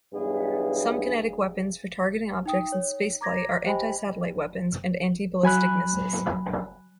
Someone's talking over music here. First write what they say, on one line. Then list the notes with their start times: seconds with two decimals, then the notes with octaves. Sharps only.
Some kinetic weapons for targeting objects in spaceflight are anti-satellite weapons and anti-ballistic missiles.
0.14 B1 E2 G2 B3 G#4
2.46 D#4 G5 D#6
2.72 C#5
3.21 A#5 D6 G#6 A#6
3.66 G4 C5 D#5 G5 G#5 B5
5.43 F#3 G#5 B5 F#6